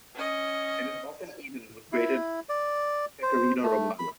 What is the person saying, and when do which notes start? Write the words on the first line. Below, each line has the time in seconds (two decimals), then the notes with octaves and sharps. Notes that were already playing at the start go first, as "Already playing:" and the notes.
It is often eaten with grated Pecorino romano.
0.15 C#4 D#5
1.92 E4
2.49 D5
3.22 C5
3.63 A3
3.99 B5